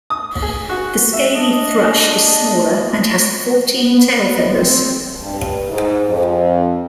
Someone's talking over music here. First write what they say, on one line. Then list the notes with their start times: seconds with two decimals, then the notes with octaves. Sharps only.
The scaly thrush is smaller and has fourteen tail feathers.
0.10 D#6
0.42 G#4
0.69 F#4
1.13 E5
1.35 D4 D#5
3.73 B3
4.54 C4
5.22 G2
5.70 G#2
6.09 F2